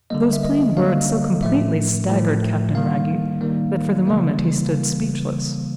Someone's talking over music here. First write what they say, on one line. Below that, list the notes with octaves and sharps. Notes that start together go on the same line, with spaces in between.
Those plain words so completely staggered Captain Wragge that for the moment he stood speechless.
D3 G3 A#3 D#5
E5
D#5
D3 G3 A#3 F5
A2 F3 A3 E5
A2 F3 A3
D#3 G3 A#3 F5
D#3 G3 A#3
C#3 E3 G3 A#3